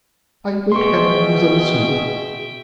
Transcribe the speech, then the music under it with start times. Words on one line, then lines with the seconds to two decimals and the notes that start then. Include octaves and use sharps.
I won’t have you use a lasso.
0.72 B2 G#4 E5 G5 C6 C#6